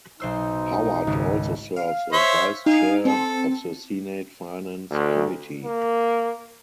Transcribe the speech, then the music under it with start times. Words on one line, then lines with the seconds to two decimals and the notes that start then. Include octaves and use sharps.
Howard also serves as vice chair of the Senate Finance Committee.
0.20 B1 D#4 C5 E6
1.07 G#1 C#2
1.76 F5
2.12 C5 C#5 E5
2.66 D#4 F5 G#5
3.05 C4 A4
4.91 D2
5.64 A#3